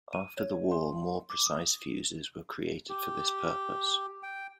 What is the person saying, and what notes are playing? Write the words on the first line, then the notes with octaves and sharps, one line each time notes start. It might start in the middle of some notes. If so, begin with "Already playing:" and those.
After the war more precise fuses were created for this purpose.
D#7
C#5
C6
D6
D#6
G4
G5